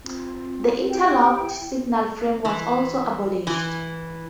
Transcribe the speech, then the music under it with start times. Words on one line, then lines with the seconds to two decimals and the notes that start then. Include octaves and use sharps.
The interlocked signal frame was also abolished.
0.04 C4 F4
0.90 E4 G4 G5
2.45 E3
3.47 E3